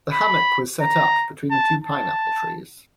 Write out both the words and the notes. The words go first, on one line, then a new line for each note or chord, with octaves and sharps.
The hammock was set up between the two pineapple trees.
B5
A#5
A5
A5